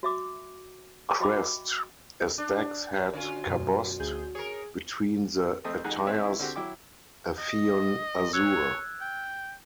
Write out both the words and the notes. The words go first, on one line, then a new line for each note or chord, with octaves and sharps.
Crest: a stag's head cabossed, between the attires a pheon azure.
F#4 E5 D6
F#4 D#5 E5 G5 B5 D6
D4
D3 C#4 F4 F#4
F#2 B2
D2 G#4 G6
G#4 A#4 C#5
F2 A3 C4 D#5 D#6
A1 F2 D#4 G#4 F#5 F#6
C4 C#5 E5
E4
D3 C4 F#4 G4
F#3 E4 G5 D6
D#5
C#5 E6 F#6 G#6
G5